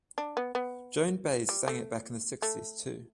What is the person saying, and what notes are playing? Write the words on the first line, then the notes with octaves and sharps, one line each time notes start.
Joan Baez sang it back in the sixties too.
D4
B3
B3
G3
A3
A3